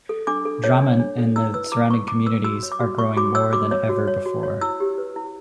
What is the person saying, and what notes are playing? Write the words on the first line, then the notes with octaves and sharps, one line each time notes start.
Drammen and the surrounding communities are growing more than ever before.
A4
D4 D6
A4
C#5
D4
D4
A4
E4 E6
B4 E6
E4 D6
B4 C#6
E4 D6
B4 E6
F#4 E6
C#5
D6
F#4
C#5 C#6
F#4 D6
C#5 E6
F#4 D6
C#5
F#4
C#5
F#4
C#5
E4 E6
G4
B4
E4